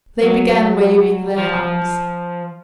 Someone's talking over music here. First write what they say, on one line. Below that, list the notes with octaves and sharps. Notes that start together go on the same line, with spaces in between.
They began waving their arms.
F#3
F3